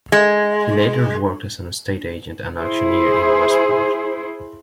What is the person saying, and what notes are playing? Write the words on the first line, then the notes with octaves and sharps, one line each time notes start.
He later worked as an estate agent and auctioneer in Westport.
G#3
E4 G#4 C5